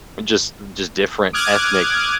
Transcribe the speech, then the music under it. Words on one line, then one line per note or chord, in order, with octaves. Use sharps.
just just different ethnic
D6 D#6 F6 F#6 G#6